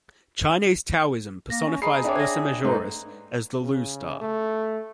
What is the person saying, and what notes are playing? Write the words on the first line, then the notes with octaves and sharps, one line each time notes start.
Chinese Taoism personifies Ursa Majoris as the Lu star.
A#3 A#6
C#4
G#4 D#5 A#5 B5 C7
D4 C#5 E5 G5 D6
G#6 A#6
G#2 G#3 A4 B4 A#5
C#3
A3